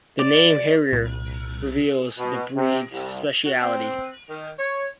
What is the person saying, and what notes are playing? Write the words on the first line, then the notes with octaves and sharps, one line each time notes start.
The name, Harrier, reveals the breed's specialty.
D5
C2 A#2
B2
C3
C2
F#4
C4
D#3
C#5